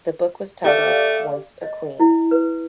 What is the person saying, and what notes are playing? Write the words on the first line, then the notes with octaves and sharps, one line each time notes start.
The book was titled Once A Queen...
A3 G4 D5 F5
D#5
E4
B4